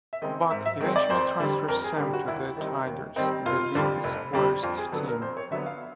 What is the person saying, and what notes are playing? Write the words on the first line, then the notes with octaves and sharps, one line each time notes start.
Buck eventually transfers Sam to the Tigers, the league's worst team.
E5
D#3 G#3 C4 D#4 D#5
G#2 E5
E5
D#3 G#3 C4 D#4
D5
F2 C5
D3 G3
F2 A#4
G#4
D3 G3 G4
F#4
D#2 E4
D#3 G3 C4 D#4
D#2
D#3 G3 C4 D#4
F1 F4
F2 D3 G3
F1
F2 D3 G3
F2 F4
G#4
D3 F#3 B3 A4
A#4
F2 C5
C#5
D3 F#3 B3 E5
F5